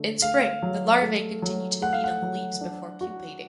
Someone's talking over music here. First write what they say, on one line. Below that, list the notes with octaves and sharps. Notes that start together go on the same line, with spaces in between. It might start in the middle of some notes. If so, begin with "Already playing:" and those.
In spring, the larvae continue to feed on the leaves before pupating.
Already playing: D3 A3
A3 F5
F#3
A3
F#3
A3 F#5
F5
F#5
F#3
D4
F#4